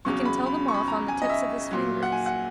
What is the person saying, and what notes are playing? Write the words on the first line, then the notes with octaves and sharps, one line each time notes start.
He can tell them off on the tips of his fingers.
E2 C#3 F#3 C#6
B5
B5
C#6
B5
A#5
G#5
D#5
E5
A#2 F#3
F#5
G#5
F#5